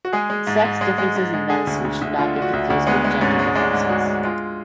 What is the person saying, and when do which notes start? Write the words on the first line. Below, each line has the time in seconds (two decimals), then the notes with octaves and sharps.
Sex differences in medicine should not be confused with gender differences.
0.05 F#4
0.13 G#3 G#4
0.30 G#3
0.47 G#2
0.65 G#2
0.81 G#3
0.98 G#3
1.16 G#2
1.34 G#3
1.50 D3 G#4
1.67 D2
1.85 D2
2.01 D2
2.19 D3 F4
2.36 D3
2.42 F#4
2.53 D2
2.70 D2
2.87 G#3 B3
3.04 G#3
3.21 G#2 C#4
3.39 G#3
3.55 G#3 D4
3.73 G#2
3.89 G#3 F#4
4.07 G#3
4.24 G#3 F4